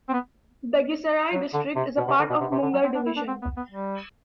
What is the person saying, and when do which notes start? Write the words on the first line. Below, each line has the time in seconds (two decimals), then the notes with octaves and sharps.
Begusarai district is a part of Munger division.
0.09 C4
0.13 B3
1.33 F#3
1.54 D3
1.76 C3
1.97 B2
2.08 C3
2.19 D3
2.30 B2
2.41 C3
2.52 C3
2.62 D3
2.73 F#3
2.84 C4
2.95 D4
3.06 E4
3.17 D4
3.28 C4
3.42 B3
3.57 B3
3.71 G3